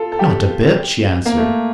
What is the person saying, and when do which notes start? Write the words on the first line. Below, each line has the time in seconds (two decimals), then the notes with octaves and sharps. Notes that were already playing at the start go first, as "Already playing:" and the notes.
"Not a bit," she answered.
Already playing: F4 A4
0.12 A4
0.19 G4
1.25 A#3
1.37 A3